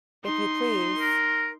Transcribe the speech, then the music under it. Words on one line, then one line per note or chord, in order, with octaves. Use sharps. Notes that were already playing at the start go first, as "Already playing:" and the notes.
If you please.
D#4 C6
A#4